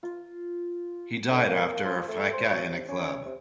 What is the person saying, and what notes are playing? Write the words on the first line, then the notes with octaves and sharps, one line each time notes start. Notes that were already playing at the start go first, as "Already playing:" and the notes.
He died after a fracas in a club.
F4
D3
A#3
A#3
F3
A3
C5
F#3
C3
C#4
C3